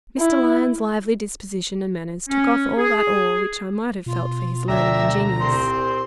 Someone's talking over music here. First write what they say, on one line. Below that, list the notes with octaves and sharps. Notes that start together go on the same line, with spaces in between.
Mr. Lyons' lively disposition and manners took off all that awe which I might have felt for his learning and genius.
E4
C#4
G#4
B2 F4
D2 D5 E5 G5 A#5 E6
C2 A#2 C4 C6